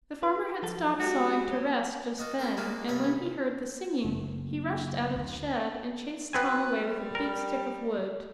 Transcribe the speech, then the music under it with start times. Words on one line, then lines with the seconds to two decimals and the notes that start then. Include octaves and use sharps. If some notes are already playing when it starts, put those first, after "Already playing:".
The farmer had stopped sawing to rest, just then; and when he heard the singing he rushed out of the shed, and chased Tom away with a big stick of wood.
0.23 B4
0.63 F3 F#3 A4
0.99 G#3 D#4 F#4 G4
1.50 F#3
2.18 F4 F#4 D#5 F#5
2.39 E4 G4 A#4 C5
2.57 G#3 A#3 D4 F4 F#4
2.88 G2 C3 D#3 C#5 G#5 B5
4.04 F#1
5.16 D2
6.33 F#3 B3 C4 B4 G#5
6.81 G3
7.15 A#4